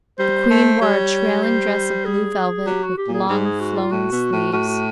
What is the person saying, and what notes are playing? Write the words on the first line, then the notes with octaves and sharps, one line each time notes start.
The queen wore a trailing dress of blue velvet with long flowing sleeves.
G3 C5
A3
G3 C#5
C5
G#4
F#3 G4
F#4
G4
A#2
G#4
G#2 G#4
G4
G#4
F#4
F4
A2 F#4
B2
A2
A2 F#4
F#4